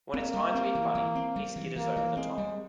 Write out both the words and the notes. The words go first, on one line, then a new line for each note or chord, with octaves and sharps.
When it's time to be funny, he skitters over the top.
A#3 C4
G3
C4
E3
E3
C4
G3
E3
E3 A#3
E3
G#3 C4
G3